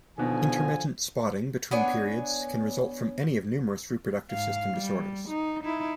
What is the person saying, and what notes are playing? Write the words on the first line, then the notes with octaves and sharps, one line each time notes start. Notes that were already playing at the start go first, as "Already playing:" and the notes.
Intermittent spotting between periods can result from any of numerous reproductive system disorders.
B2 D3 D#3 F3 G#5
B3 D4 C#5 G#5
G#2 F5
G3
D#4
D#4 E4